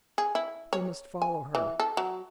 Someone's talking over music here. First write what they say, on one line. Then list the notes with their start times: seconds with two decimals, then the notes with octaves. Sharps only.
"We must follow her."
0.18 G#4
0.35 E4
0.73 C#5
1.22 G#5
1.55 E3
1.80 A4
1.97 F#3